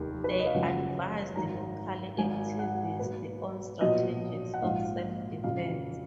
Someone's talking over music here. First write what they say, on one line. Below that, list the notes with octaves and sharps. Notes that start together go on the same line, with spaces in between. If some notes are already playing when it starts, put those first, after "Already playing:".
They advised local activists on strategies of self-defense.
Already playing: F1 D#2 D#3
B4
C#5
D#5
F5
F#1 F#2 C#3 F3 G#3 F#5
G#1 F#2 D#3 A#5
G#1 G#2 D#3 G#5
F#5
B1 B2 A#3 B4
B1 A#2 F3 B3 D#5
F#5
A#1 G#2 F3 F5
F2 C#3 F3 F5